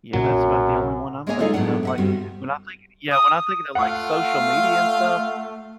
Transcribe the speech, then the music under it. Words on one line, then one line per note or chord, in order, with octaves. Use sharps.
Yeah, that's about the only one I'm thinking of, like, when I think yeah, when I think of it like, social media and stuff,
B1 F#2 A#2 C#3 F#3
G#3 A#3 G#4 C#5 D#5 G#5
G3 D#4 F4 G#4 A4
A2 F#3 B3 D4 F#5
C3 E5 F#5
D2 G2 G3 B3 C4 F#4
D#6
A3 F4 F5 F#5